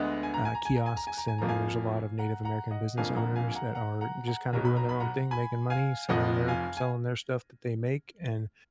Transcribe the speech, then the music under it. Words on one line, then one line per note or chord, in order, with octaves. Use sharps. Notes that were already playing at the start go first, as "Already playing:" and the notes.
uh, kiosks and and there's a lot of Native American business owners that are just kinda doing their own thing, making money, selling their selling their stuff that they make, and
Already playing: D2 D3 G#3 B3 D#5 F#5
G#5
A#5
G#5
A#5
G#5
A#5
G#5
A#5
G#5
A#5
G#5
F2 F3 A#3 A#5
F5 G#5
F#5 A#5
F#5 A#5
D#5 F#5
F1 F2 D3 F3 A#3 F5 G#5
F#5 A#5
F5 G#5
G#5
F#5 A#5
F#5 A#5
F#5 A#5
F#5 A#5
B1 B2 F#3 A#5
B5
A#5
B5
F#5 A#5
G#5 B5
F5 G#5
F1 F2 F3 D#5 F#5
F5 G#5
G#5